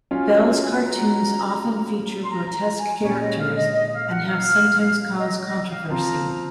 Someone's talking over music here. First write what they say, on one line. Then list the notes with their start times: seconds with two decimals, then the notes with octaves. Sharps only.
Bell's cartoons often feature grotesque characters, and have sometimes caused controversy.
0.11 F#3 C#4 F4 G#5
0.83 A#5
2.22 C6
2.28 A#5
2.52 A#5
2.76 G#5
3.00 A#2 G#3 C#4 C#5
3.19 D#5
3.37 F5
3.54 D#5
3.73 D#5
3.91 F5
4.08 F#5
4.27 F5
5.17 D#5
5.41 D#5
5.65 F5
5.89 F3 C4 F4 A#5